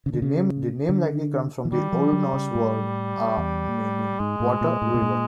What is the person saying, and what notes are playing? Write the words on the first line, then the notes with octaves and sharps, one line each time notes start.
The name likely comes from the Old Norse word "aa", meaning 'water, river'.
C#3
D3
C#3
D3
E3
D#3 G3
F3
F#3
C#3
A2
E2
G#2 G#3
A2
A#2
A2
B2
A#2